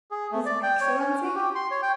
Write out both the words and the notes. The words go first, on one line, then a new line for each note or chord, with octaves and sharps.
'His excellency!
G#4
A3
D5
G5
C#5
C#4
F#4
G4
C6
C#5
G5